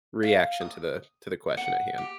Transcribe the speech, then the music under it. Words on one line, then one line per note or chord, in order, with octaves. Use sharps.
reaction to the to the question at hand.
F5
D#6
F#5
G4